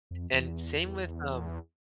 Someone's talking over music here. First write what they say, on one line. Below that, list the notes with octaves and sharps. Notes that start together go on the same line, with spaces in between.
And same with, um,
F2
E2